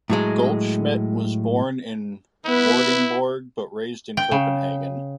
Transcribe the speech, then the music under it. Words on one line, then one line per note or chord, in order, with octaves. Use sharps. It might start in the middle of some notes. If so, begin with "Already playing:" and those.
Goldschmidt was born in Vordingborg but raised in Copenhagen.
A2 F#3 G#3
B3 E4 B4
G5
C#3